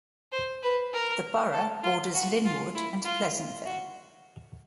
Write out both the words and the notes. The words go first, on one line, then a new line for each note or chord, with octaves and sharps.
The borough borders Linwood and Pleasantville.
C5
B4
A#4
A4
F4
F#4
F4
E4
F4
F#4